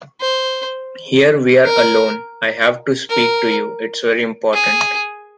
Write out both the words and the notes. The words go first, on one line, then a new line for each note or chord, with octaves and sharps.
Here we are alone, I have to speak to you; it’s very important.
C5
A#4
A#4
G#4